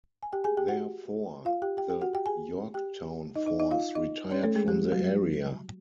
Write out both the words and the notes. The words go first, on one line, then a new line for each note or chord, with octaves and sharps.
Therefore, the "Yorktown" force retired from the area.
G#5
G4 G5
G#4 G#5
G4 G5
F#4 F#5
F4 F5
G4 G5
G4 G5
G4 G5
F#4 F#5
G4 G5
G#4 G#5
G4 G5
D#4 D#5
D#4 D#5
D#4 D#5
F4 F5
D#4 D#5
C#4 C#5
A3 A4
G#3 G#4
G3 G4
F#3 F#4